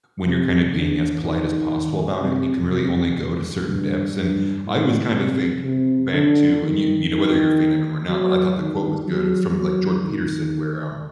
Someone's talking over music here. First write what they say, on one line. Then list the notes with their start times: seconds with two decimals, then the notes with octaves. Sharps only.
when you're kind of being as polite as possible about it, you can really only go to certain depths, and I always kinda think back to and you you know, whether you're a fan of him or not, but I thought the quote was good. It was from, like, Jordan Peterson where, um,
0.24 C3
0.74 D3
1.22 D#3
2.20 C3
2.70 C3
3.67 G2
4.16 G2
4.66 A2
5.14 C3
5.64 C3
6.12 D3
6.61 D#3
7.10 D#3
8.08 F#3
8.58 D#3
9.06 F#3
9.55 F#3
10.04 D#3